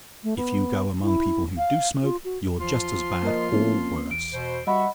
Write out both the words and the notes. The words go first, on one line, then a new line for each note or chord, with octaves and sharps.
If you go among people who DO smoke, you're just as bad, or worse.
A3
B3
E4
F5
F4
F#4
E2 F3 F4 C6
A#3 A#4 D#5
A#3 C4 C#4
E2 D7
B2 C5
G3 F#4 D#5 E5 F#5 B5